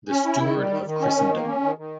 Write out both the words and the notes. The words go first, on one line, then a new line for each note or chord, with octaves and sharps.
The Steward of Christendom.
C#4
E4
D#3
G3
D#3
D#3
C#4
D#3
A#3
C#4
D#3
D#3